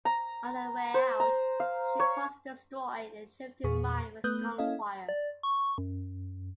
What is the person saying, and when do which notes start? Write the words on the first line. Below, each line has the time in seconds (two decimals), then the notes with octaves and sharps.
On the way out, she paused to destroy a drifting mine with gunfire.
0.05 A#5
0.94 C5
1.20 A#5
1.60 F5
2.00 C#5
3.64 E2 A#2 G#4 C#6
4.24 A3 B3 B4 D#6 F#6 G6
4.58 A#3 C#4 E4 A4 D#5 F5
5.09 D5
5.43 C#6
5.78 F#2